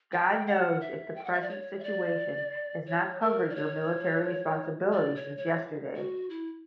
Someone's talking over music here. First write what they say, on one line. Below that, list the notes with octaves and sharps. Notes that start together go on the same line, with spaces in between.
God knows if the present situation has not covered your military responsibility since yesterday.
G5
F#5
E5
G5
F#5
E5
D5
C#5
E5
D5
C#5
A#4
D5
C#5
D5
C#5
C#5
F#4
E4